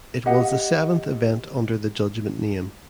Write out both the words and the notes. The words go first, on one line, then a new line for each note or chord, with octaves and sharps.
It was the seventh event under the Judgement name.
G4 D#5 F5 F#5